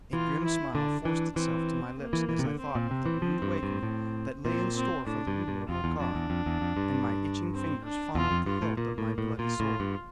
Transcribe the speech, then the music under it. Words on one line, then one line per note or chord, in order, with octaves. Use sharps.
A grim smile forced itself to my lips as I thought of the rude awakening that lay in store for the ruler of Okar, and my itching fingers fondled the hilt of my bloody sword.
E3 F4
E4
D3 D4
E3 D4
E3 C4
A#3
E3
E3
C3
D3
C4
A#2
C3
E3
F3
G2
G2
A2
A#2 C4
C4
A2 D4
G2
G2
F2 F4
E2
F2 D4
E2
F2
E2
F2
G2
C4
D4
E2 F4
F2
G2 F4
A2
A#2 A#3
A2
A2
A#2 F4
A2
G2